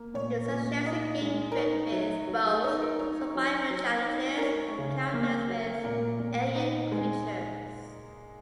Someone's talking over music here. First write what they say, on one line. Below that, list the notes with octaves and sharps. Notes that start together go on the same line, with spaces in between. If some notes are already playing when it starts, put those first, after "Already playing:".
It suggests a game filled with both survival challenges and encounters with alien creatures.
Already playing: A#3
A#2 C#5
A#2
D#4 D#5
G#3
A#4
D#4 C#5
F#3
F#3
G#4
D#4 C#5
A#4
D#4 C#5
F#3
F#3
D#4
A#4
C#4 C#5
C#3
A#3
F#3
A#2 A#4
A#2
D#4
G#3